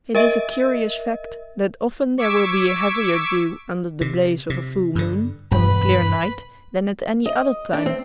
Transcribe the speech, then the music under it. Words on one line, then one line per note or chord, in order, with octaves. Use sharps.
It is a curious fact that often there will be a heavier dew under the blaze of a full moon on a clear night than at any other time.
A#4 D#5 E5
C#6 D6 E6 G#6 B6 D7
C3
C3
G2 D3
E1 G2 B4 B5
D#5
D4
C4